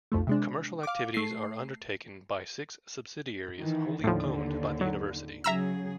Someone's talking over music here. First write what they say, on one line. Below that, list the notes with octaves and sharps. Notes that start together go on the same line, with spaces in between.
Commercial activities are undertaken by six subsidiaries wholly owned by the university.
B1 F2 F3 A3
C3 G#3 D4
F5 D6
A3 C7
D#3 E3
D#2 A2 D3 F3
F#3
C#3 F#3 G#4 E5 A#5 E6